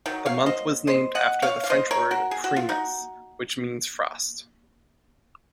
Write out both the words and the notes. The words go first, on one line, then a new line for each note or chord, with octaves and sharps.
The month was named after the French word "frimas", which means "frost".
D#3 F#3
C#5 F5
C5 D#5
C5 D#5
D#5 F#5
C#5 F5
F5
C5 D#5
A#4 C#5
F#4 A#4
G#4
F#4
F4
D#4 F#4